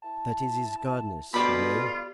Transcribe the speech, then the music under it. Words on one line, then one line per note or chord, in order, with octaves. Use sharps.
That is his Godness, you know.
E4 A5
D2 B2 F4 G4 D5 B5